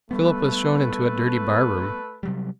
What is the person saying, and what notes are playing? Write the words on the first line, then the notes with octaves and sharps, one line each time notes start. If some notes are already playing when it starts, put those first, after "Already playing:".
Philip was shown into a dirty bar-room.
G3 A3 B3 A4 B4
C3 F#3 G3